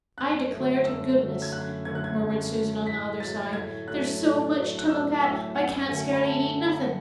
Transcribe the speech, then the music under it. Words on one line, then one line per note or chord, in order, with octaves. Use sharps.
"I declare to goodness," murmured Susan, on the other side, "there's so much to look at I can't scarcely eat nothin!"
F#2 F#6
D3 F#3 A3
F#2 E6
D3 F#3 A3
G#6
F#2 F#6
D3 F#3 A3 G#6
F#6
G#6
F#2
D3 F#3 A3
A2 B6
F#3 A3 A6
A2 G#6
F#3 A3 F#6
A2
F#3 A3
F#6
A2 E6
F#3 A3 E6
F#2 F#5
D3 F#3 A3 G#5
B5
A5